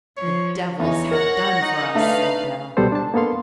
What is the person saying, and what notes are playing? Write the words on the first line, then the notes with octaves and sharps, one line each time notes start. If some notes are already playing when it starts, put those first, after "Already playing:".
"The devils have done for us!" said Bell.
F3 C#5
E2 D#4 C#5
A#4 F#5 A#6
D#4
A3 D4 B4 F5
C2 B2 G3 B3 A4 C5
D4 A5
A#3 B3 A4 F5 C6